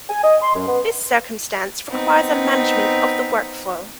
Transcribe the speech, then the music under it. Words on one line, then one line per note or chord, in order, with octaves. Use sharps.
This circumstance requires a management of the workflow.
G#5
D#5
C6
F#2
B3
B3 C4 D#4